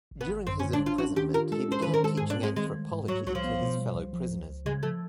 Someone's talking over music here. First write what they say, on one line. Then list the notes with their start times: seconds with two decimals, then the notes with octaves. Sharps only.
During his imprisonment, he began teaching anthropology to his fellow prisoners.
0.11 G#1
0.21 B3
0.29 G#1
0.47 F#2 C4
0.60 C#4
0.64 D3
0.73 D4
0.82 G#1 F4
0.98 C#4 F#4
1.16 D#3 G4
1.34 F4 A#4
1.51 G#3 A4
1.68 C#4 C5
1.82 D#3 B4
1.94 A#4
2.03 G#3 A4
2.17 G#4
2.22 G#2
2.30 D4
2.38 C4
2.43 G#3
2.56 D#3 G#3
2.74 G#3
2.91 G#2
3.08 F#3 G3
3.26 C2 F#3
3.35 F3
3.44 B3
3.61 B2
3.78 G3
3.95 C2
4.13 F3
4.31 C#2
4.48 C#2
4.66 C#3 G#3
4.83 F3 A3